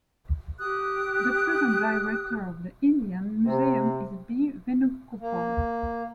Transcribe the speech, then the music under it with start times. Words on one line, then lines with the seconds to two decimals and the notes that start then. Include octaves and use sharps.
The present Director of the Indian Museum is B. Venugopal.
0.59 G4 D#6 F#6
3.46 C3
5.20 A#3